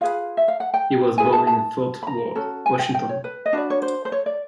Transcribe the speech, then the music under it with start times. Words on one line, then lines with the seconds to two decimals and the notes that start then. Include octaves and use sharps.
He was born in Fort Ward, Washington.
0.01 F4 G#4 B4 F5
0.37 E5
0.48 F5
0.60 F#5
0.74 G5
1.18 E4 G#4 B4 G#5
1.33 A5
1.47 A5
2.03 B5
2.07 A#5
2.35 C#4 F#4 A4
2.66 G#5
2.79 G5
2.94 G5
3.09 C#5
3.24 B4
3.46 D#5
3.53 D4 F#4 B4 D5
3.70 C#5
3.82 C5
4.05 C5
4.12 C#5
4.26 D5